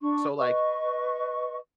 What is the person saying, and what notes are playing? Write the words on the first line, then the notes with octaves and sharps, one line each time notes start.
So like
D4 C#6
B4 D#5 C#6